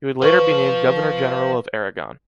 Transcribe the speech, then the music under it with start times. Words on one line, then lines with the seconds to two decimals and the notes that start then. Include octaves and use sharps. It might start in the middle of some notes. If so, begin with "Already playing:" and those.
He would later be named Governor General of Aragon.
0.22 F4 B4 C5 C#6